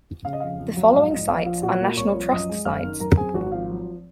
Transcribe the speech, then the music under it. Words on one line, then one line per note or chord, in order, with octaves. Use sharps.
The following sites are National Trust sites.
C#3 F5
D#5
F2 F5
F2
F#3
G#2 F5
A#1 D#5
A#1 F5
F3 F5
A#2 F#4 F#5
A#3
C2 C#5 C#6
F3
F#2 D#5 D#6
G#3
F#1 F5 F6
D#3
F#2 A#4 A#5
C4 G#4 G#5
G#1 F#4 F#5
F3 F5
F#3